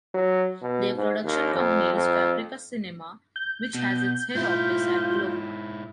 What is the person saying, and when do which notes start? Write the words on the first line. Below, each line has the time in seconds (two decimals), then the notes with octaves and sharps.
Their production company is Fabrica Cinema, which has its head office at Bologna.
0.14 F#3
0.62 B2
0.95 G#2
1.24 D#2
1.54 F2
1.94 F2
3.36 G6
3.75 B2
4.35 G#2 E4 F4